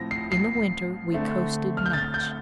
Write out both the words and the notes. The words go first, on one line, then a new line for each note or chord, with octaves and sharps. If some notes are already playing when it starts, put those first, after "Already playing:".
In the winter we coasted much.
Already playing: A2 F3 C4 A#6
C7
C7
D3 A3 C4
F6
G6
A6
G6